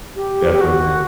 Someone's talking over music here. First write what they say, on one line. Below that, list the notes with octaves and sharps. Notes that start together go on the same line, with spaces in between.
Definitely, man.
G4
G4
F#4